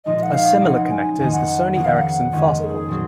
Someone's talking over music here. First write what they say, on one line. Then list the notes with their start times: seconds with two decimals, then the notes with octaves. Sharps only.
A similar connector is the Sony Ericsson FastPort.
0.05 A#2 F3 G#3 D#4 D#5
0.23 F#5
0.34 F5
0.60 C#3 F#3 C4 D#4 F#5
0.90 G#5
1.19 F2 D#3 A#3 D#4 G#5
1.33 F#5
1.75 C#3 F3 A#3 F#5
1.85 F5
1.95 F#5
2.32 F2 D#3 G#3 C#4
2.60 A#4
2.64 G#4
2.89 A#2 F#3 C4